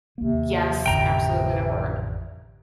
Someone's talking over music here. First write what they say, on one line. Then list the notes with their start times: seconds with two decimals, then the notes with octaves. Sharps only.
Yes, absolutely there were,
0.18 D#2 C3 A#3
0.86 A1 F2 D3 G5 A#5